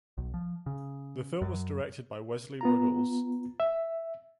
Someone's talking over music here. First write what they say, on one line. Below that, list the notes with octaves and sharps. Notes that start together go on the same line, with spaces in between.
The film was directed by Wesley Ruggles.
B1
F3
C#3
F#2
B3 F4 A#5
E5